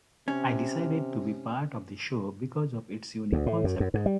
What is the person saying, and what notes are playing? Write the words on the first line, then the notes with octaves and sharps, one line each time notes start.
I decided to be part of the show because of its unique concept.
C3 C#4
D2
A2
F#2
F#2
G#2
G3